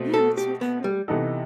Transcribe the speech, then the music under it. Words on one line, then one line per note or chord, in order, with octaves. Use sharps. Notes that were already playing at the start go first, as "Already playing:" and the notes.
Yeah, that's so true.
Already playing: B2 A3 C4
A4
G4
B3
G3
C3 E3 B3 D#4 A4